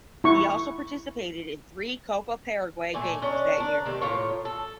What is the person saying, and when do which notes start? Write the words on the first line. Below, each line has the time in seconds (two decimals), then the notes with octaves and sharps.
He also participated in three Copa Paraguay games that year.
0.24 E4 C#6
2.94 A#2 A3 G#5
3.22 C#4 D4 D#5
3.57 D4 A#4
3.85 C3 D#3 A3
4.01 A2 A#3 F4 C#5
4.45 A4